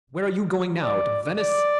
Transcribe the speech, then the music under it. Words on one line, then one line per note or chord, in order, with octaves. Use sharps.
Where are you going now--to Venice?
D5
D5